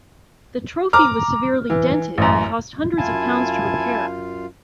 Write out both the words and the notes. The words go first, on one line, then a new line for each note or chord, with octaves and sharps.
The trophy was severely dented, and cost hundreds of pounds to repair.
A#5 D6 F6
E3
A1 F#2
F#2 E4 F4 F5 G#5 A5